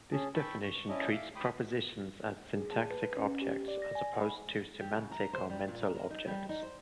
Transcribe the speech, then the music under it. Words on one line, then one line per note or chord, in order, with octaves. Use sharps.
This definition treats propositions as syntactic objects, as opposed to semantic or mental objects.
C#4 G#4 A5
G5 A5 B5 C#6 E6
C#6
C#4 E4 D5 D#5 A5
E5 F5 D6 E6
G5 B5 C6 D6 D#6
G#4
A5
B4
C#4
G4
D5
A#6
G#5
B5
G4
C#3
A#5
C5
G3
A#2
A#4
A#4
D#4
G3
D#4
C5